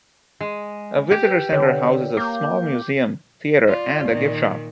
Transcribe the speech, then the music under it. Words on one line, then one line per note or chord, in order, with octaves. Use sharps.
A visitor center houses a small museum, theater, and a gift shop.
G#3
G4
B4
D3 C#5
A#3 D6 G6
F4 D5
A#2 D#3